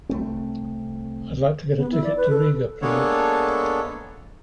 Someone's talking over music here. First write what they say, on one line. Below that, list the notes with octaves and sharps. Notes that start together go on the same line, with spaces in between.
I’d like to get a ticket to Riga, please.
C2 A3 C4
B3
E4
D5
B4
A4
G#3 A#3 B3 D4 A4 C#5